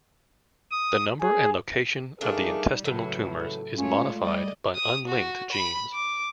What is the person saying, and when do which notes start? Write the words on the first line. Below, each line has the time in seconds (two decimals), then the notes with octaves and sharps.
The number and location of the intestinal tumors is modified by unlinked genes.
0.71 D#6
1.21 G#4
2.21 G3 A3 A#3 D4 D#4 G#4
2.85 A2 C#3 E3 F#3
3.77 G#3 A3 C#4 F4 C#5
4.19 G3 D5 D#5
4.75 D#6
5.08 F#4
5.52 B5
5.94 D6